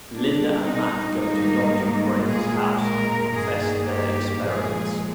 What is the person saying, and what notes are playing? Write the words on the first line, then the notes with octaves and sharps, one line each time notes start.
Linda and Matt go to Doctor Kramer's house and confess their experiments.
A#2 G3 A#3 D4
D#4
G#2 D#3 G3 A#3 D#4
A#2 G#3 G#4
A#4
G2 D#3 A#3 G#4
G4
A#2 F3 G#3 G#4